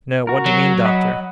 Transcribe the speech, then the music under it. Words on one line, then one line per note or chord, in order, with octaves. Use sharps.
"No! what do you mean, doctor?"
F#4 A#4
F#3
D#5 F#5 B5